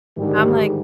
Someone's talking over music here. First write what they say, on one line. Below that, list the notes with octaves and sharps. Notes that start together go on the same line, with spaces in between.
I'm like
G#2 D3 D#3 G3 D4 G4